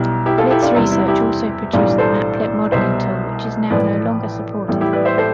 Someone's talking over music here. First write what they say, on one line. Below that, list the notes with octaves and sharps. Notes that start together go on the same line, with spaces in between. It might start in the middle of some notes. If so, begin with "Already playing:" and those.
Blitz Research also produced the Maplet modelling tool, which is now no longer supported.
Already playing: B1 B2 G3 E4 G4
E4 G4
F4 A4
E4 G4
D4 F4
E2 C3 G3 E4
E4
E4 G4
B1 A2 E3 G3 D4 F4
A4 C5
C2 B2 G3 C5 E5
A1 A2 F3 B4 D5
A1 A2 G3
E4 G4
B4 D5
C5 E5
A4 C5